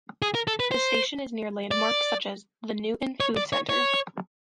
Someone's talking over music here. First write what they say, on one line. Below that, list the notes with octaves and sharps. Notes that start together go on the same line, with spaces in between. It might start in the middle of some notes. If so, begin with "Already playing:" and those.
The station is near landmarks such as the Newton Food Centre.
G#4
A#4
A4
B4
C5
D5
C#5
D5
C#5
C#5